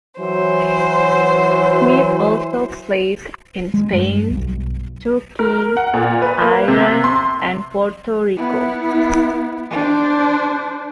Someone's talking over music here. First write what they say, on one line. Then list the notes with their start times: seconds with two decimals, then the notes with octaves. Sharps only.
Smith also played in Spain, Turkey, Iran, and Puerto Rico.
0.20 E3 F#3 C5
3.74 G#3
3.92 G2
4.30 B1
5.39 A#4
5.77 F#5
5.94 A#2
6.22 B4
6.42 A#3
6.68 C3
7.04 C6
8.37 B3 E4
9.70 D4 C5